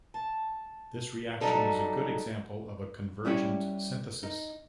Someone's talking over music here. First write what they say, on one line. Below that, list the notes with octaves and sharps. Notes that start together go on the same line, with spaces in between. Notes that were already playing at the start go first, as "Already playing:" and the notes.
This reaction is a good example of a convergent synthesis.
A5
F#3 G3 D#4 A4 D5
G3 C#4 E4 G4 C#5
D#4